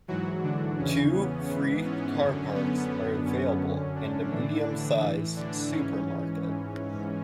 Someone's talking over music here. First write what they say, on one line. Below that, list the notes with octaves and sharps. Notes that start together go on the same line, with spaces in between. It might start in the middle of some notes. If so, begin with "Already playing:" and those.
Two free car parks are available and a medium-sized supermarket.
G#2 E3 F#3 F#4
D3 D4
E2 C#3 E3 C#4
B3
G#2 E3
C#4
F#2 D3
B3
F#2 D3 B3
C#4
F#2 D3
D3 D4
A2 E3
A2 E3
D3 D4
G#2 E3 C#4
G#2 E3